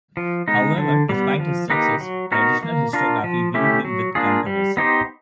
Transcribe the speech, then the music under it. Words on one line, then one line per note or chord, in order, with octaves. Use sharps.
However, despite his success, traditional historiography viewed him with controversy.
F3
G#3 B3 D#4
D3
G3 B3
F3
A#3 D#4 G4 B4
F#3
B3 D#4 F#4 A#4
A#3
D4 F4 A#4
F3
A3 C#4 E4 G4
F#3
A#3 D4 F4 G#4
G3
B3 D#4 G4 C5